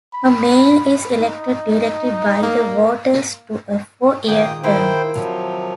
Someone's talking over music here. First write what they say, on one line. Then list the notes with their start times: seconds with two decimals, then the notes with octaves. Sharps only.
A mayor is elected directly by the voters to a four-year term.
0.14 B5
1.20 D#4
2.43 A#3
4.28 A#2 D#3 G#3 A#3 G5 D#6
4.63 D#3 A#3 E4 C5 G5
5.15 C3 F3 F#3 F4